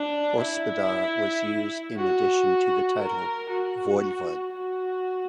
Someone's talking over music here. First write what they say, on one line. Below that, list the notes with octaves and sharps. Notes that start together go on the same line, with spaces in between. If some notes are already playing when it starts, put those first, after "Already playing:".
"Hospodar" was used in addition to the title "voivod".
Already playing: D4
E4
F#4
A#4
F#4
F#4